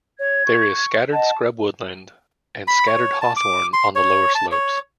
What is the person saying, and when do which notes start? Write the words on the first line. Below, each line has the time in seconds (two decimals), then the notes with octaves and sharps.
There is scattered scrub woodland and scattered hawthorn on the lower slopes.
0.19 C#5 G#6
0.46 C#6
1.12 D#5 F#5 A5
2.68 B5
2.87 C#5
3.22 A5
3.37 D6
3.73 C6
3.96 C#5
4.35 A5
4.52 C#5